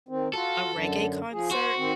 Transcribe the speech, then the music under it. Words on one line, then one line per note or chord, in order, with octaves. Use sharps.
a reggae concert,
D#3 C4
F4 F#4 A4
F#2 D3
F3 G#4
F#4 C5
D#3 C4